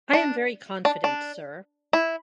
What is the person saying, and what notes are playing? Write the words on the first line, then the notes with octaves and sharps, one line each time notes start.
I am very confident, Sir.
D4
D4
D4
E4